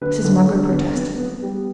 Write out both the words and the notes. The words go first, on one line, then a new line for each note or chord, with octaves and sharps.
Mrs. Munger protested.
D3 B4
D3
D3
B3
B3
B3
G3